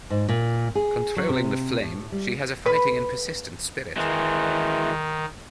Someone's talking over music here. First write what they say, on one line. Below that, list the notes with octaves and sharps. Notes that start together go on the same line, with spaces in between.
Controlling the flame, she has a fighting and persistent spirit.
G#2
A#2
G#4
F#3
C3
A2
G3
B4
D#3 E3 G#3